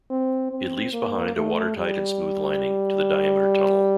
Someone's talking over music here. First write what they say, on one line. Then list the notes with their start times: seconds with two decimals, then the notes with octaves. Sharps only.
It leaves behind a watertight and smooth lining to the diameter tunnel.
0.11 C4
0.51 C4
0.93 A#3
1.36 A3
1.77 G3